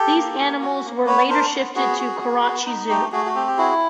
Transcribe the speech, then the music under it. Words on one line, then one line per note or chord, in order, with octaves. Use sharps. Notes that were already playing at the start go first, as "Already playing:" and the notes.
These animals were later shifted to Karachi Zoo.
Already playing: G4 A4
A#3
A#3
F#4
A#3
B3 B4 C#5
D4 A#4 C5
B3
B3 F#4 G#4
F#4
F#4
B3
D#4
A3 G4
A3 F#4 G#4
F#4
C4 G4
G4
E4 F#4 G#4